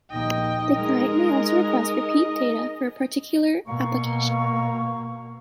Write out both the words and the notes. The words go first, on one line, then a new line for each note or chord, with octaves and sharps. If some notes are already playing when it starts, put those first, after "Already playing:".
The client may also request repeat data for a particular application.
A#1 D#2 D#4 D#5 G5
G#3 G#4 A#4
B2 A#3 F5 A#5 C#6